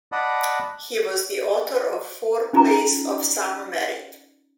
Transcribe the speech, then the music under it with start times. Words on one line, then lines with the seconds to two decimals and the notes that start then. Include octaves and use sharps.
He was the author of four plays of some merit.
0.12 D5 D#5 F#5 A5 B5 D#6
2.53 C#4 D#4 F4 A5 A#5 D6